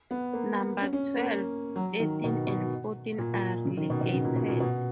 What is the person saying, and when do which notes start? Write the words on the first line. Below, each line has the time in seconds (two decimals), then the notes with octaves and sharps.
Number twelve, thirteen and fourteen are relegated.
0.11 B3
0.34 A#3
0.81 C#4
0.93 C#4
1.17 A#3
1.76 F#3
2.00 D#3
2.24 B2
2.47 B2
3.18 A#2
3.34 A#2
3.65 C#3
3.77 D#3
3.90 B2
4.01 B2
4.13 C#3
4.25 A#2
4.36 B2
4.48 A#2
4.60 B2